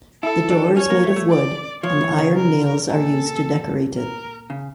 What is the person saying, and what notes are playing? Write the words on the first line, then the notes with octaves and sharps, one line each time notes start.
The door is made of wood and iron nails are used to decorate it.
E4 A4
D4
C#4 C#5
A#3
A3
A3
D5
F3 C#5
E3
C#3
A#4
A#2 A4
A#4
C#3